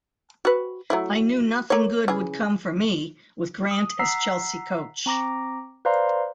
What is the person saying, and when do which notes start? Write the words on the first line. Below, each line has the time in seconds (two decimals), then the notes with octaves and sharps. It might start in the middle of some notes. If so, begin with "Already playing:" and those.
I knew nothing good would come for me with Grant as Chelsea coach.
0.45 F#4 B4
0.90 F#3 A3 E4
1.70 A#3 C#5
2.08 C#3 E3 G#4
3.71 D#6
3.99 F#5 A#5 E6 B6 C7
5.06 C4 A#5 D6 A#6
5.85 B4 C5 D5 F5 A#5 C6